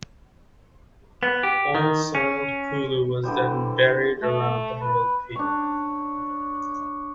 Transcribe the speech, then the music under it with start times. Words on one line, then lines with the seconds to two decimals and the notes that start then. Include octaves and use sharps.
All soiled pulu was then buried around the hale pea.
1.23 B3
1.43 G4
1.75 D#3
2.15 C#4
3.23 D3 E3 G3 C5
4.22 A3
4.81 B4
5.36 D4 C#5